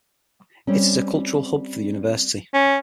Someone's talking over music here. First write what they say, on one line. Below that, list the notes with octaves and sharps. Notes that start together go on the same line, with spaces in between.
It is a cultural hub for the university.
G3 C4 C#4
C#4